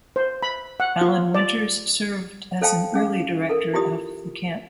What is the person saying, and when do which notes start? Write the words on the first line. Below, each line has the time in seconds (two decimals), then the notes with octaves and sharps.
Alan Winters served as an early director of the camp.
0.16 C5
0.43 B5
0.80 F#5
1.01 F4
1.35 D5
2.62 A4 C5 F5 G5 A5
2.94 C#4 G#4 F5
3.49 A4 A#4
3.74 E4 F4 G4 B5 D#6